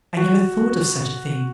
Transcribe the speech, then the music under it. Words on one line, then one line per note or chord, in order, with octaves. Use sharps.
'I never thought of such a thing.'
F#4